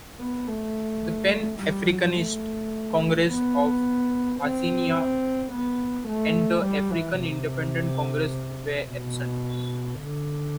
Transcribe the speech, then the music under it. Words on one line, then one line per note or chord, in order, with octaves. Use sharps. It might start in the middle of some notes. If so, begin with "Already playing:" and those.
The Pan Africanist Congress of Azania and the African Independent Congress were absent.
B3
A3
G3
F#3
A3
B3
C4
B3
A3
G3
E3
C3
B2
D3